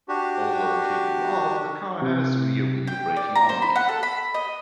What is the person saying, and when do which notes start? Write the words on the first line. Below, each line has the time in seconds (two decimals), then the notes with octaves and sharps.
Although capable of the car has rear-wheel braking only.
0.08 D4 F#4 G4
2.02 C3
2.87 G5
3.16 D5
3.35 A#5
3.49 C5
3.62 B5
3.76 F#5
3.89 A4
4.03 B5
4.34 D#5